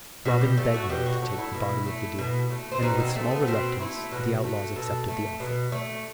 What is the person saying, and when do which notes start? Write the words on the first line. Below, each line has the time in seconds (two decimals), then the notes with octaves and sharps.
Robin begged them to take the body of the deer, and, with small reluctance, the outlaws accepted the offer.
0.25 B2 F#4
0.41 G4
0.57 A3 A4
0.74 F#4
0.90 B2 G4
1.06 F#4
1.22 A3 F#4
1.38 E4
1.54 B2
1.86 A3
2.19 B2
2.50 A3
2.72 C4
2.82 B2 D#4
3.00 C4
3.15 A3 C4
3.31 B3
3.47 B2 C4
3.80 A3 E4
4.11 B2 F#4
4.44 A3
4.76 B2 A4
5.08 A3
5.40 B2
5.72 A3